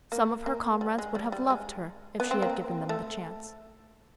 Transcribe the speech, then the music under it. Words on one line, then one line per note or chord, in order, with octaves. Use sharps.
Some of her comrades would have loved her if she had given them the chance.
A#3
A#3
G3
G#3
G3
G3
G#3
B3
C4
A#3
A3